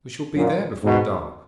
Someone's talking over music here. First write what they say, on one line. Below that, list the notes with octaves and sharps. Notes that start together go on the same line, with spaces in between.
'We shall be there before dark.'
F#2 A#2
G#2 B2